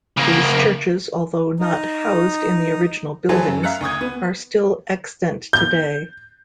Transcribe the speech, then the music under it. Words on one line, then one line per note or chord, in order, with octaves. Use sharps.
These churches, although not housed in the original buildings, are still extant today.
C#3 A#3
D#4
E3 F#3 G#4 A4 C5
F#2
E5 F5 A#5 F#6 C#7
D2 C#6 D#6 G#6
B3
G6